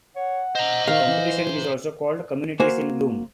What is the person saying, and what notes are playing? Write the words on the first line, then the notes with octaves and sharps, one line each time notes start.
The competition is also called "Communities in Bloom".
C#5 F#5
C5 D#5 A#5
D#3 F5
E3
A#3 F#4 C5 G#5